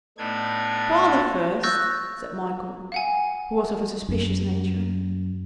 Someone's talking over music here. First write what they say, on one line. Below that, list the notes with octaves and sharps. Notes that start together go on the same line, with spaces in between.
"Father first," said Michael, who was of a suspicious nature.
A2 A3 B3 D4 D#4 G#6
C#6 E6 F#6 G6 A6 A#6
F5 F#5 G#5
F#2